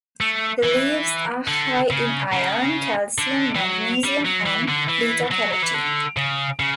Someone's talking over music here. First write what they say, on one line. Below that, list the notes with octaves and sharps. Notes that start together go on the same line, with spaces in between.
The leaves are high in iron, calcium, magnesium, and beta carotene.
A3
E3
D3
C#3
C#3
D3
E3
F#3
G3
F#3
E3
D3
E3
F#3
F#3
E3
D3
C#3
C#3